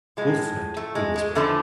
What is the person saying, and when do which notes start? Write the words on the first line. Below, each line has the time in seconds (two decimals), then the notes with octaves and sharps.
"Wolf night!" he whispered.
0.17 A2 F3 G#3
0.77 A3
0.95 G#3
1.16 G#3
1.35 E2 D3 F3 A3